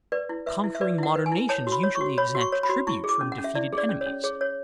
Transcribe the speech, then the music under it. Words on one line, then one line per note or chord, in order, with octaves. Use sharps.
Conquering modern nations usually exact tribute from defeated enemies.
B4 D5
E4
B4 E5
E4
E5
B4 D5
E4 F#5
B4
G#5
E4
C#5 A5
F#4
B5
C#5
C#6
F#4
C#5 B5
F#4
C#6
C#5
B5
F#4
E4 C#6
G#4
D6
C#4
F#5
C#4
E5
E4 D5
G#4
D5
C#4
C#5
C#4
G#4 C#5
C#5